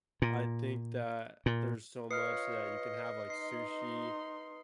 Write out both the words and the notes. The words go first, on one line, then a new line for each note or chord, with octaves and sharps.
I think that there's so much that you can have, like, sushi,
A#2
A#2
F4 B4 C#5 D#5 D#6 F6 C7 C#7
D#4 C6 C7